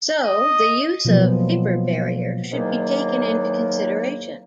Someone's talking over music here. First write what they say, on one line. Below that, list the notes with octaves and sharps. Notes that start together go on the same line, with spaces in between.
So, the use of vapor barrier should be taken into consideration.
D#5
B2 F3 F#3 G#3 A#3 B3
E2 G#2 D#3 F#3 A#3